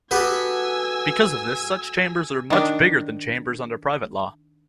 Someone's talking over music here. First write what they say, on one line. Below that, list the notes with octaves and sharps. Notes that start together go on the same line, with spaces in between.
Because of this, such chambers are much bigger than chambers under private law.
B3 F#4 G4 A4 B4 G#5 E6
D#3 D4